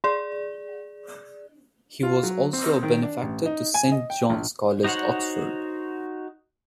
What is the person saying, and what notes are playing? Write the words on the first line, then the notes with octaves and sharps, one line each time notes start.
He was also a benefactor to Saint John's College, Oxford.
G#4 D5 C6
F4
F#3
C4
C4
D#3
D4
A1
D#4
G#5
D#5
G5
A#1
D#4 F#4 C5 C#5 F#5